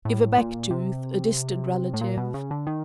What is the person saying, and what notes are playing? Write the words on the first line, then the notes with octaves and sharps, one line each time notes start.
If a back tooth, a distant relative.
A2
A#2
C3
A2
A#2
B2
C#3
D3
D#3